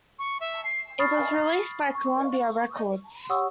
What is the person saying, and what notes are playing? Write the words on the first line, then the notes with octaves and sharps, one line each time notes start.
It was released by Columbia Records.
C#6
E5
C7
B5 C#6 D#6 F6 A6 C7
C#6
G4 C#5 F#5 C#6 D#6 E6